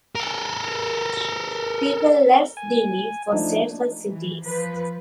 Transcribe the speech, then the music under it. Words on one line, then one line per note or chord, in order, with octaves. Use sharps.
People left Delhi for safer cities.
A4 A#4
G#5
F3 A3 D4 D#4
E3
F3 B4